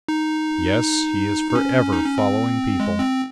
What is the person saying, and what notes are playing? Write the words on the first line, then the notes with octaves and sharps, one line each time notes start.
Yes, he is forever following people.
D#4
D#4
C#4
D#4
C#4
C4
G#3
C4